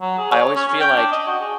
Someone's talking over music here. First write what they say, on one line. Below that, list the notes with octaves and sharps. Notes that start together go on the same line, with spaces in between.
I always feel like,
F#3
G#4
C#5
C#4
C#4
G5
D4
D#5
F#4
G#4